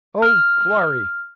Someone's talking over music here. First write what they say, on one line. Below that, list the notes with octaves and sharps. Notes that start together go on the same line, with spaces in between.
Oh, glory!
F6